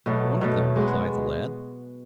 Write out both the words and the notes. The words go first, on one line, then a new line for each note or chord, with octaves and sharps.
"One of them," replied the lad.
B2 F#3 A3
B2 F#3 A3
G#3 B3 F#4